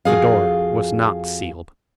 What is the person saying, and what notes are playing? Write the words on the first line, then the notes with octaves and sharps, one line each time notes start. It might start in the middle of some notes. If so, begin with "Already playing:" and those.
The door was not sealed.
F2 F4 F#4 G#4 F5